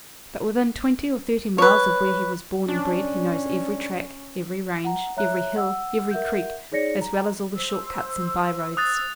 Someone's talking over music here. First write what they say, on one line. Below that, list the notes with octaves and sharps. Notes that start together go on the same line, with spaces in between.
But within twenty or thirty miles of where he was born and bred he knows every track, every range, every hill, every creek, as well as all the short cuts and by-roads.
B4 C#5
C#4 D4
F#5 A#5
C#5 E5 A#5 F#6
F#5 E6
A#4 E5 F#5 G6
D#4 G#4 C#5 D5 A#6 C#7
A#5
C5 E6
D#6 F#6 A6